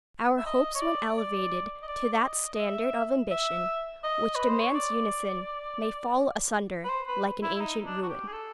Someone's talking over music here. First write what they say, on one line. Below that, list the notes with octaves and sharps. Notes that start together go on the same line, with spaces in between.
Our hopes when elevated to that standard of ambition which demands unison may fall asunder like an ancient ruin.
E5
D#5
C#5
D5
D5
D#5
D5
D5
D#5
D#5
E5
E5
D#5
B4
C5
C#5
D5
B4
C5
B4
E4
E4
D#4
D4
F#4
G4
G#4
A4